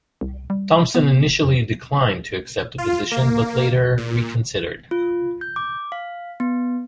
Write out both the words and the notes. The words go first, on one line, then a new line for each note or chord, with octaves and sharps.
Thompson initially declined to accept the position, but later reconsidered.
C2
G3
B3
F#1
F2
F4
A#3
A#2
F4
G6
D6
F5
B3